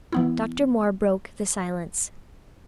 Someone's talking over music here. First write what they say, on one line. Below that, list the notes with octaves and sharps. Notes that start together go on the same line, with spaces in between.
Dr. Moore broke the silence.
E3 B3 E4